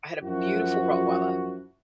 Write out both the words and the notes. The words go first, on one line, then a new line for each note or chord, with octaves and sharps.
I had a beautiful Rottweiler
F#2 F3 E4 F#4